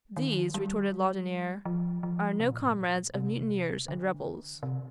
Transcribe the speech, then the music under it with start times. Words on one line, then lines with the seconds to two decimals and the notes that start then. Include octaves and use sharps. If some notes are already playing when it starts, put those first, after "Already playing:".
"These," retorted Laudonniere, "are no comrades of mutineers and rebels."
0.16 D#3
0.54 G3
1.65 F3
2.03 F3
2.40 C3
2.50 A#2
2.60 G#2
2.70 A#2
3.14 C3
3.88 D3
4.63 C3